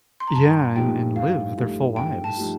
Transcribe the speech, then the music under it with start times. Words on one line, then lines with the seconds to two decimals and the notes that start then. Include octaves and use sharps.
Yeah, and and live their full lives.
0.20 C6
0.27 A#5
0.35 G2 A5
0.76 F3 A3 D#4 G4 G5
1.16 G2 F5
1.56 F3 A3 D#4 G4
1.96 G2 G5
2.24 A5
2.37 F3 A3 D#4 G4